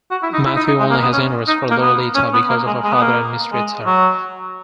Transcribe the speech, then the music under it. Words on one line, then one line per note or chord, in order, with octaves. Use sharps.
Mathieu only has interest for Lolita because of her father and mistreats her.
F#4
E4
D#4
E4
D#4
D#4
G#3
A#3
B3
C#4
D#4
A#3
B3
C#4
B3
A#3
G#3
G#3
B3
A#3
G#3
F#3